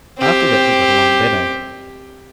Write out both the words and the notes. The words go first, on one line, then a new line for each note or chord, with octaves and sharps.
After that we got along better.
C4 G4